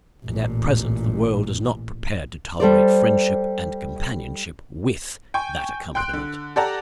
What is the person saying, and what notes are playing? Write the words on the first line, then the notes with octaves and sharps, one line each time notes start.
And at present the world is not prepared to tolerate friendship and companionship WITH that accompaniment.
A1 A#2
G3 A4 C5 D5
G5 G#5 C#6
G5 C6 F#6 D7
D3
G4 A4 D5 F#5 A5 A#5